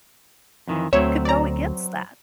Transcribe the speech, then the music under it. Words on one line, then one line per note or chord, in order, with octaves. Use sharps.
could go against that?
F2 D#3 E3
D2 F#3 C4 C#5 E5
D5 A#5